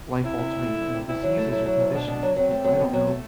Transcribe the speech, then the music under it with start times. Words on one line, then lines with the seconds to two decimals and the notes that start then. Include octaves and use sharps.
life-altering, you know, diseases or conditions because I don't know
0.23 C3 E4
0.38 C3
0.52 D2
0.66 A3
0.81 D2
0.94 C3
1.08 D2 E4
1.23 F#3
1.37 A3
1.51 F#3 E4
1.66 F#3
1.80 D2
1.93 B2 D4
2.07 B2
2.22 F#3
2.36 F#3 C4
2.51 A3
2.64 F#3
2.79 B2
2.93 F#3
3.07 A3